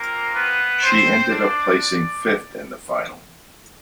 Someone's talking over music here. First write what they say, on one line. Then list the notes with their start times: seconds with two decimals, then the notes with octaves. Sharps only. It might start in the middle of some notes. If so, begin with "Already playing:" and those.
She ended up placing fifth in the final.
Already playing: A#3 C4 F4 A#4
0.35 B3 B4
0.82 C4 C5
1.31 D4 D5